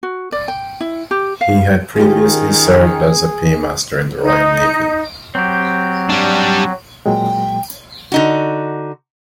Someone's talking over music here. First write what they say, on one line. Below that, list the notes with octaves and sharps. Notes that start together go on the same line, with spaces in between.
He had previously served as a paymaster in the Royal Navy.
F#4
D5
G5
E4
G4
F5
D#3 C#4 F4 G4 G#4
D#4
F#3 C4 G4
G3 D4
A#2 F#3 G#3 G5
D3 D#4 F#4